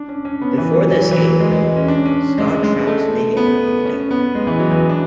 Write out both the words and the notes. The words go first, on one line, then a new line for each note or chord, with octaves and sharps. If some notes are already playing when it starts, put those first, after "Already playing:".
Before the escape, though, Scott traps Mahia on deck.
Already playing: D4
C#4
C#4
B3
E3
F#3
E3
F#3
E3
G#3
G#3
C#4
D4
C#4
G#3
G#3
A3
B3
C#4
B3
G#3
E3
F#3
E3
D4